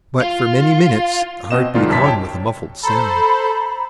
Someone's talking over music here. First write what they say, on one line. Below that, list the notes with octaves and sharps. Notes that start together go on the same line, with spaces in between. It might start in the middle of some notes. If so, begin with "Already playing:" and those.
But, for many minutes, the heart beat on with a muffled sound.
F4
B2 C4 D#5 E7
C2 G#2 D#3 F4 D5
B1 F#2 C3 A5 B6
C#5 G5 A5
A4 C5 A#5 B5